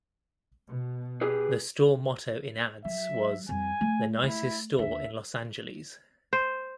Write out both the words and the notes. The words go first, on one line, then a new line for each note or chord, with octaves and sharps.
The store motto in ads was "the nicest store in Los Angeles".
B2
G4 G#4 B4
F#3 E5
F2 G3 G#5
A3
A3 E4
D#2 D4 E5
C5